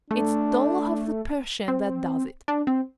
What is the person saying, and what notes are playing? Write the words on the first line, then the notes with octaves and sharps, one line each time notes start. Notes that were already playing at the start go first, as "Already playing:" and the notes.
It's 'Dolokhov the Persian' that does it!
A3 D4
C4
D4
C4